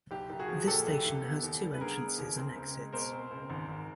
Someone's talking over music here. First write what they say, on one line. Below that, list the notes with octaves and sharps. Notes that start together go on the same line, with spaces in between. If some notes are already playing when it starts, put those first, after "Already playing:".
This station has two entrances and exits.
B1 G4
B1
F#4 G#4
F3
A#2 G4 A4
B1
B1
B3
D#2
G3
B4
D3 G#4 A#4
B3
D#2
C4
C#2
G#3
B2 A#4 C5
C4
C#2
G#1
G#1